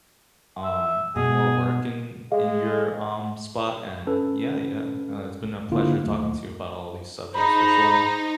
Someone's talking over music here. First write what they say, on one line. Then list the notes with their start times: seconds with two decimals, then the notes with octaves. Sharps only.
um, more work in in your, um, spot and yeah, yeah, uh, it's been a pleasure talking to you about all these subjects for sure.
0.64 E5
1.16 B2 G#4
2.32 G#3 G#4 D#5 F5
4.07 C#4 A4 B4
5.72 D3 A#3 E4 F4
6.04 D#2 F#3 A3
7.35 D#4 G#4 C5 A#5 B5